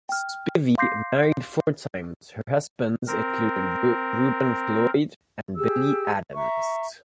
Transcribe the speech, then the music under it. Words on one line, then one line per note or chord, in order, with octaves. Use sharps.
Spivey married four times; her husbands included Ruben Floyd and Billy Adams.
G5 F6
F5 C6 D6 G6 A#6 C7
C4 A#4
G4 G#4 E6
E5 A#5 C#6